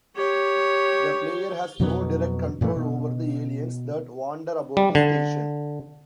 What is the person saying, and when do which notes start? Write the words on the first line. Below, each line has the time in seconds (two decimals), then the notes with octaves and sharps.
The player has no direct control over the aliens that wander about the station.
0.16 G4 C#5
1.80 F2 B2 F#3 B3
2.61 F#2 A#2 E3 A3
2.76 B2
4.77 G3
4.95 D3